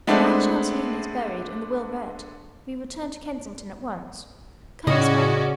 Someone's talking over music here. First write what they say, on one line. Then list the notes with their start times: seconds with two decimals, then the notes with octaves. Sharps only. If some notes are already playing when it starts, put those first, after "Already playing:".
Now that Aunt Selina is buried and the will read, we return to Kensington at once. Come this way.
0.07 G#3 A3 B3 C4 D4
4.87 A2 C#3 C#4 F#4 D5 D#5